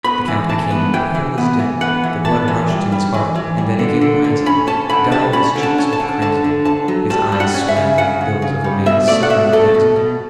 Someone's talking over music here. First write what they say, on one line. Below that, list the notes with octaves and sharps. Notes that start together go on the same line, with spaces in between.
The count became pale as death, the blood rushed to his heart, and then again rising, dyed his cheeks with crimson; his eyes swam like those of a man suddenly dazzled.
B3 B5
E3
E3 A5
B3
E3 G5
E3
B3
E3
B3 F#5
E3
B3 A5
E3
G3
G3
E3
E3
G3
D3
D3
D3
C#4 B5
C#4 A5
D3 B5
G3 A5
C#4 B5
D3
A5
C#4
A5
D3
D3 A5
D3
D3 A5
F#3
G3 A5
G3
F#5
C#4
E5
C#3
C#3 F#5
C#3
C#3
G3
B2 E5
A3 D5
F#5
B2 E5
A3 A4
B2
B2